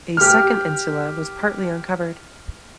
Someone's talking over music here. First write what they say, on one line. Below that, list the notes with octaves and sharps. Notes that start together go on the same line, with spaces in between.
A second insula was partly uncovered.
G4 F6